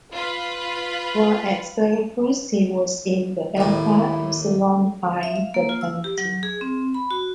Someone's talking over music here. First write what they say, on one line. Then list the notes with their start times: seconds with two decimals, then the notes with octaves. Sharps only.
While at Syracuse, he was in the Alpha Epsilon Pi fraternity.
0.15 F4 B4
3.57 D#2 A2 E4
5.23 E5
5.36 F5
5.54 A#3
5.69 F4
5.81 E6
6.04 G4
6.18 F#3
6.43 G#4
6.61 C4
6.94 B5
7.11 F#4